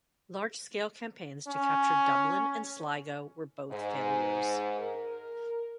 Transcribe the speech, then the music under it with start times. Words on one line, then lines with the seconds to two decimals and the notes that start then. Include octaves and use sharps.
Large-scale campaigns to capture Dublin and Sligo were both failures.
1.48 C#4
3.70 G#2
4.79 A#4